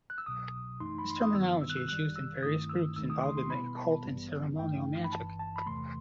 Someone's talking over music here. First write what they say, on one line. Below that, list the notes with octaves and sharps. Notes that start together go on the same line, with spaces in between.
This terminology is used in various groups involved in the occult and ceremonial magic.
F#6
E6
C2 B2 F#3 D#6
F#2 E3 A3 D#4 C6
B5
C6
D#6
G2 D#3 G3 B3 E6
E6
F#6
E6
G1 F#2 D#3 G3 F#6
E6
G2 D#3 A3 C4 E4 D#6
E6
D#2 D#3 A3 D#4 E6
D#6
C6
C6
B2 G3 B3 E4 B5
A5
A1 G2 E3 G3 B3
G2 E3 A3 D#4 G5
B5
G1 G2 E3 A5
A5
B5
E2 C3 E3 A3 C6